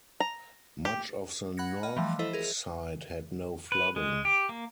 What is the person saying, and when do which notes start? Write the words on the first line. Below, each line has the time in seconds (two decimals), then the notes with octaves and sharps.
Much of the north side had no flooding.
0.20 A#5
0.85 G4
1.57 F#5 B5 F#6 G#6 A#6 C#7
1.83 D#5 B5 F6
1.97 E3 F3 G3 A3
2.19 E4 A4 C5 D#5 E5
2.33 G#4 A#4
3.72 B4
3.96 G#3
4.25 G4
4.49 A#3